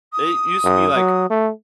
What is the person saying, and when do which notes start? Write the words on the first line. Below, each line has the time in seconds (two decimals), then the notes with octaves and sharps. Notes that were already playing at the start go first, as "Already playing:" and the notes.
it used to be like,
0.12 D#6
0.64 F#2
0.95 F#3
1.30 A3